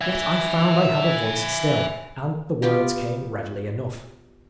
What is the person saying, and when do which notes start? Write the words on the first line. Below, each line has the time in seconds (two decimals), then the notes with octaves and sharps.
But I found I had a voice still, and the words came readily enough.
0.01 E5 G#5
2.62 B3 F4 G4